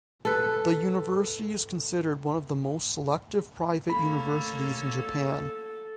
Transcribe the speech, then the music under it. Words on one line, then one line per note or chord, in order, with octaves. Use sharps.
The university is considered one of the most selective private universities in Japan.
A4 B4
A3 A#3 C#4 A4 B5